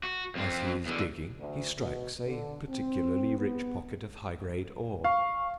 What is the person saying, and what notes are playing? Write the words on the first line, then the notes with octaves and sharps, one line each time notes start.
As he is digging he strikes a particularly rich pocket of high-grade ore.
F#4
F2 C4
E2 D3
D2
B2
D3
C4
B3
F5 C#6